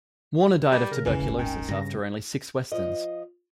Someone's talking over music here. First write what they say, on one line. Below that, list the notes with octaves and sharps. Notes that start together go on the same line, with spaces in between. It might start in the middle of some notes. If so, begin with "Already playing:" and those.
Warner died of tuberculosis after only six Westerns.
G3
C#3 A#4
B1 F2 D3 E3 C#4
D#1 G#1
D#3 G5
G2 C#3 A#6
F3 D#5